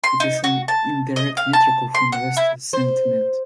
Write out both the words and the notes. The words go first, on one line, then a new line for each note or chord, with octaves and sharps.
It is an indirect metric of investor sentiment.
C6
D#4
F#4
A5
D#5
F5
A5
C6
F#5
E4
C5